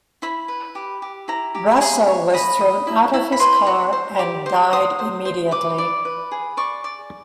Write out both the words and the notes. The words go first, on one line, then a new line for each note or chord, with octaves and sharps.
Russo was thrown out of his car and died immediately.
E4 B5
B4
G4
G4
E4 A#5
G4
G#4
C#5
D#5 B5
D#5
E4
E4
B5
B4 C6
F#4
C5
G4
C5
C5 D#6
C5
C5
B4 D6
D5
B4
G#4
D5 C#6
D5